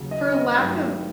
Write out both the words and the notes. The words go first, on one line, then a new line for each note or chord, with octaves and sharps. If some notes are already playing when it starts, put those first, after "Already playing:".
for lack of
Already playing: D#2 C#3 F#3
D#5
D#5
G2 D#3 F#3 A3 G5